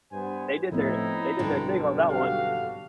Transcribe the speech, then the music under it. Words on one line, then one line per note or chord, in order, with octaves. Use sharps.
they did their they did their thing on that one.
G2 B3 C5 G#5
A2 F3 B3 C4 D#4 E4
B1 G2 D3
F#4 G4 F5